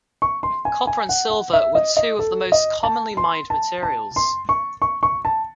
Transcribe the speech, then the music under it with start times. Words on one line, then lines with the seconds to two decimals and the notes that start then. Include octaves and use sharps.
Copper and silver were two of the most commonly mined materials.
0.22 C#6
0.43 C6
0.65 G#5
0.87 G#5
1.09 F#5
1.31 F#5
1.53 E5
1.75 D#5
1.97 D#5
2.19 A4
2.52 D#5
2.84 A5
3.17 C6
3.50 A5
3.83 A5
4.16 C6
4.49 C#6
4.82 C#6
5.03 C#6
5.25 A5